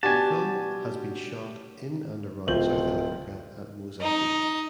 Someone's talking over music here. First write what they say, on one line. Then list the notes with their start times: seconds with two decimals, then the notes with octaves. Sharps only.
The film has been shot in and around South Africa and Mozambique.
0.03 B2 D4 F#4 G4 G#5 A5
2.47 D1 F3 C5 G6 F#7
4.01 D#4